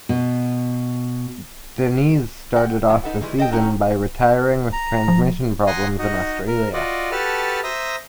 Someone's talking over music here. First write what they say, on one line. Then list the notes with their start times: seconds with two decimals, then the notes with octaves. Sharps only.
Diniz started off the season by retiring with transmission problems in Australia.
0.09 B2
2.56 F#5 G5
2.88 A2 F#3
3.04 D#4 A4 B4 F#5
3.21 D#3 E3 G3 G#3
3.38 A4 D#5 F#5 G5
3.52 F2 C#4 D#4 F#4 G5 A#5
4.73 A#5
5.08 F3
5.67 F#5 G#5 A#5 C6 D#6
5.99 D#4 F#4 D#5
6.48 A#4
6.73 F4 F#4 D5 D#5
7.11 F#4 G4 A4 B4 A5 F6
7.64 C5 E5 A#5 D#6